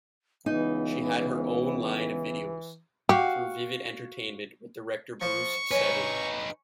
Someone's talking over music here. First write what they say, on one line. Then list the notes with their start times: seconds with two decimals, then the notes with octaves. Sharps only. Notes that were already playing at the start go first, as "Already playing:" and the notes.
She had her own line of videos through Vivid Entertainment with director Bruce Seven.
0.46 C#2 E3 B3 D#4
3.09 F#4 G4 F5
5.21 F3 C#6
5.71 C#4 D#4 B4